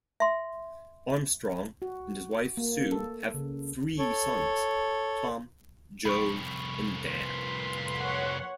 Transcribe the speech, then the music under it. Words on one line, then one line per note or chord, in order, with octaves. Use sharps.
Armstrong and his wife, Sue, have three sons: Tom, Joe, and Dan.
E5 C6
F#4
A#3
A4
C#3
A4 C#5
C2 F2 B5 C#6
A#2 B4 C6
C#5 F#5